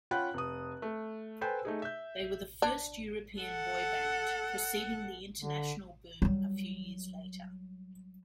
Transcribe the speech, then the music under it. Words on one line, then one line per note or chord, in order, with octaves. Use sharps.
They were the first European boyband preceding the international boom a few years later.
C#4 F4 F#5 G5 B5 F#6
F1 D#6
A3
A4 B4 C5 G5 G#5 E6
A3 D#4 G#4
E5 G6
D4
A4 F#5
D3
F#3 G3